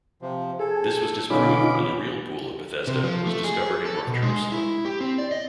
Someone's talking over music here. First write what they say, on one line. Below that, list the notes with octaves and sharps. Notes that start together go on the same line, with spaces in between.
This was disproved when the real Pool of Bethesda was discovered in north Jerusalem.
C3 F3
G#4 A4
B2 D3 C#4 D#4 F4 B5 D6
C3
F3
A3
G#4
A4
B2
G#3
E4
G4
C4
D5
D#5